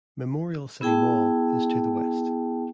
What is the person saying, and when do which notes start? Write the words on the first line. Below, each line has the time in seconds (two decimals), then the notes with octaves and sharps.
Memorial City Mall is to the west.
0.81 B3 E4 G#4 G5 A5